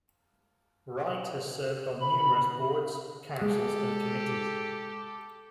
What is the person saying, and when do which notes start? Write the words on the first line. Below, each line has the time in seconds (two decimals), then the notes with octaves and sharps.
Wright has served on numerous boards, councils and committees.
2.01 B5
3.41 G#3 G4 A4